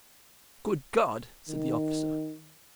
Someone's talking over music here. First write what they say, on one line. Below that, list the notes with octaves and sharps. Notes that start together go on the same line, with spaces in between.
"Good God!" said the officer.
D#3